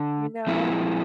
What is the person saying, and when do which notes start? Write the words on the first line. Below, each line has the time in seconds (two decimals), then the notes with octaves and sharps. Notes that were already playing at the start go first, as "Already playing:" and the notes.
you know?
Already playing: D3
0.47 A#2 F3 G#3 C4 E4